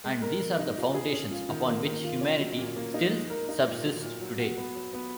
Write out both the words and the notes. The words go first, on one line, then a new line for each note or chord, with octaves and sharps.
And these are the foundations upon which humanity still subsists today.
G#3
A#4
A#4
D#4
F4
G#4
C#4
F4
D#3
A#3
D#3
F4
C#4
F#3
A#2
A#3
D#4
G#3
A#4
D#4
A#2
F#3
A#2
F#3
F#4
B3
F#3
B3